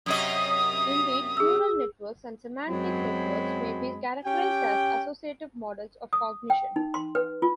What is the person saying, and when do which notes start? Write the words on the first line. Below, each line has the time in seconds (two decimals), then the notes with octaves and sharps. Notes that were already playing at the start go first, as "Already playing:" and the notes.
Indeed, neural networks and semantic networks may be characterized as associative models of cognition.
0.06 F#2 C3 D#5 D#6
1.37 G#4 E6
2.68 F#2 F#3 G#3 C4 B5
4.24 C#4 G4 G5
6.13 D#6
6.50 G5
6.76 D#4
6.94 C6
7.15 B4
7.42 F4